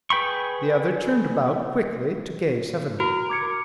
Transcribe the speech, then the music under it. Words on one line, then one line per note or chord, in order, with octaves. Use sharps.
The other turned about quickly to gaze heavenward.
G#4 B4 G5 B5 C#6
F#4 A#4
D6 G#6 C#7